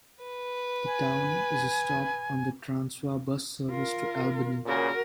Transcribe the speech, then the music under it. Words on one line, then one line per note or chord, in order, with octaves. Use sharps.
The town is a stop on the Transwa bus service to Albany.
B4
G#5
F4 A#4
A#2 C#3 F#4 A#4